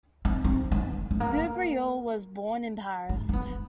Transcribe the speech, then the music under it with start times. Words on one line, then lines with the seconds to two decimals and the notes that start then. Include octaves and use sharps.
Dubreuil was born in Paris.
0.25 C4
0.44 C4
0.72 B3
1.11 A3
1.20 A#3
3.09 A3
3.29 C4
3.33 B3